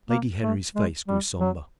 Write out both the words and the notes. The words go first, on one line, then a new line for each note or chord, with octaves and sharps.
Lady Henry's face grew sombre.
A#3
A3
G#3
G3
F#3